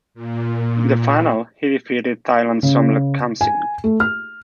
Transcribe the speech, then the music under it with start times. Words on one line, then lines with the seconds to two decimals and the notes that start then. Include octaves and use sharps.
In the final he defeated Thailand's Somluck Kamsing.
0.14 A#2
2.63 C#3
3.41 G#5
3.84 A3
4.00 F6